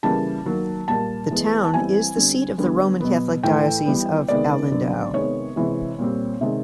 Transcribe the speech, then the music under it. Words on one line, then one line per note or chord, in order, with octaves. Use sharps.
The town is the seat of the Roman Catholic Diocese of Alindao.
C#3 E3 G3 A#3 A5
D#3 F#3 A#3
A#2 G3 A#3 A5
E3 G#3 B3
A5
E3 G3 C4 G#5
D3 G3 C4
D3 G3 B3
B2 F#3 B3
A2 E3 A3 G5
E3 G3 B3
C3 D#3 G#3 B3 D5
D3 F#3 B3
C3 D#3 G#3 B3 C#5
C3 E3 G#3
A#2 G3 C4
C3 D#3 G#3